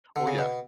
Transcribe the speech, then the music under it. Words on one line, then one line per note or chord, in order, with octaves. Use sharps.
Oh, yeah.
D3
C#3
B2